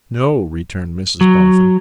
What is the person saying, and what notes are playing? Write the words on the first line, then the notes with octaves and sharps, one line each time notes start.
'No,' returned Mrs Boffin.
F#3